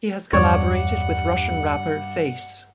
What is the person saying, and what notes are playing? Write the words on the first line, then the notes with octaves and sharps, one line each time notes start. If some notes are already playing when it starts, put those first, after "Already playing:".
He has collaborated with Russian rapper Face.
E2 G2 C#5 D5 F#5